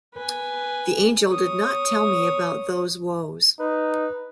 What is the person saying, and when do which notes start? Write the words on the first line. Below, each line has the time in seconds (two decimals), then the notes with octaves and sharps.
The angel did not tell me about those woes.
0.14 B4 G#5
1.29 C#5 D#6
3.60 D#4 B4